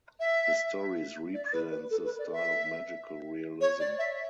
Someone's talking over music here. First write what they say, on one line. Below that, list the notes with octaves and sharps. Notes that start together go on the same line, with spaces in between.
His stories represents the style of magical realism.
E5
D5
B4
B4
A4
B4
D5
E5
C#5
D5
E5